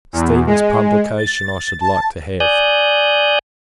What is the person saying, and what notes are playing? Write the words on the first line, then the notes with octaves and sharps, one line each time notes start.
Stephens's publication I should like to have.
E2
G#3
A6
A5
D5 G#5 D#6 F#6 G6